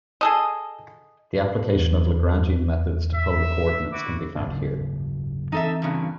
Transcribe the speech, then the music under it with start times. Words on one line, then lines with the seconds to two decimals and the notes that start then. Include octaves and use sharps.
The application of Lagrangian methods to polar coordinates can be found here.
0.21 G#4 A4 D#5
1.76 E2
3.14 E5
3.90 E4 F#4 D6
4.36 F#1 D#2 G#2
5.52 E3 C4 D#4 A4 E5
5.82 G2 A#2 C#3